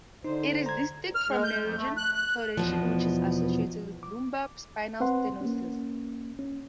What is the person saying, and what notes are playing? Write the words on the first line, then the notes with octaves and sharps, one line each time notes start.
It is distinct from neurogenic claudication, which is associated with lumbar spinal stenosis.
D3 D#4 C5
A#5 G#6
F6
G#3
G6
F2
A3
F#6
F#6
E2 B2 F3
D6
C4 B4 F#5 C6
A#3 C#4
C#4